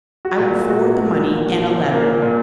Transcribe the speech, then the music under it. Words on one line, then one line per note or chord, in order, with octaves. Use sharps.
I will forward the money and a letter.
F#4
A#2
A#2
F#4
A#3
F#4
A#3
A#2
F#4
A#2
A#2
A#3
A#2
A#2